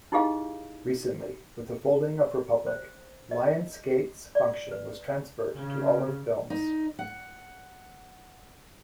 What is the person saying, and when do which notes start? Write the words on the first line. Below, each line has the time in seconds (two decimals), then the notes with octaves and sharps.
Recently, with the folding of Republic, Lionsgate's function was transferred to Olive Films.
0.12 D#4 E4 G4 G#4 D#5 F5
2.67 C5
3.31 D#5
4.35 D5
4.71 B4
5.53 C#3
6.50 D#4
6.99 F#5